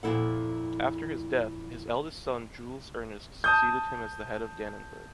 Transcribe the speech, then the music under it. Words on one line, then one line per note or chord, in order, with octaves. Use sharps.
After his death, his eldest son Jules-Ernest succeeded him as the head of Dannenberg.
F2 A#2 F#3 E4 A4 F#5
A5 D#6 G6